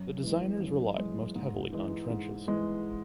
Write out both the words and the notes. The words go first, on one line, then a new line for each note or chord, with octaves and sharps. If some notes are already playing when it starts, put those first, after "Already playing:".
The designers relied most heavily on trenches.
Already playing: F#2
E3 G#3
F#2
E3 G#3
G#2
E3 G#3
G#2
E3 G#3